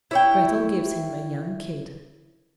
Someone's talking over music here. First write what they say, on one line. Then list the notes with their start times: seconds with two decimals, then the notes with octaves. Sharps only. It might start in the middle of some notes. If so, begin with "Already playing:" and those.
Grettel gives him a young kid.
0.11 E4 C#5 G5